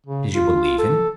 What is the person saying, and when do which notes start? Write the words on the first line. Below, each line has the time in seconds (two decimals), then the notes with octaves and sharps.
"Did you believe him?"
0.06 C#3
0.35 F4
0.79 A4